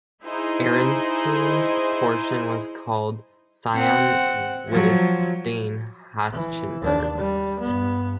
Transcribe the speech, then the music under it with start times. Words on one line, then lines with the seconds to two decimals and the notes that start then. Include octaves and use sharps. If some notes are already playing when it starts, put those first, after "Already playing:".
Ernestine's portion was called "Sayn-Wittgenstein-Hachenburg".
0.23 D#4 E4 G#4 C5 D#5
3.75 C4 F#5
4.68 F3 F#3
6.33 E3
6.82 D#2 D4
7.18 G3
7.60 G2 B3